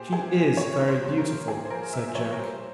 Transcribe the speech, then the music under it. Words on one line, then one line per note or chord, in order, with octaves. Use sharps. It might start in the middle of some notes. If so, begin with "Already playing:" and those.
"She is very beautiful," said Jack.
Already playing: A#2 G#3 G4 C5
G#3 G#4
A#2
F3 C#5
G2
C5
G2
A#4
F3
A#2 G#4
C5
F3 A#4
A#2 E5
F3 C#5
A#4
G3 C5